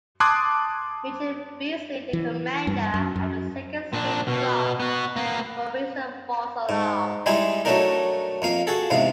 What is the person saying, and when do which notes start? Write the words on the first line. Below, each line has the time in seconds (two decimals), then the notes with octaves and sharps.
Major Beasley, the commander, had the second slave flogged for "raising a false alarm".
0.20 A5 C6 D6 D#6 F#6 G#6
2.13 E3
2.67 G2
2.94 F#2
3.16 F#2
3.93 A#2 D4
4.28 B2
4.80 B3 F#4
5.16 A#3 B3
6.69 G#2
7.26 G3 G#3 D#4 E4 G#4
7.65 F#3 A3 D4 D#4 A#4
8.42 F2 A#3 F5
8.67 F#4 G#4 A4
8.90 E2 G#2 C3 F5